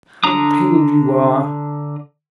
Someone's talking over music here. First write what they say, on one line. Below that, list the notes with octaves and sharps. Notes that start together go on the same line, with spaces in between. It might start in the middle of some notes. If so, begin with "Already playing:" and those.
How pale you are!'
D3 D4 A#5 D#6